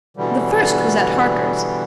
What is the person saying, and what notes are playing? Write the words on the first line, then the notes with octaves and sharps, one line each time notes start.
The first was at Harker's.
B2 D3 E3 G3